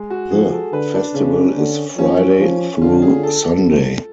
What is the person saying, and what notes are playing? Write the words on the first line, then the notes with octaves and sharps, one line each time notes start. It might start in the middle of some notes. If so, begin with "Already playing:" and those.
The festival is Friday through Sunday.
Already playing: G#3
F#4
F3 G#4
A4
D3 B4
D4
C#3 C#4
D3
F3 C#4
F3
D3 F4
G#4
A4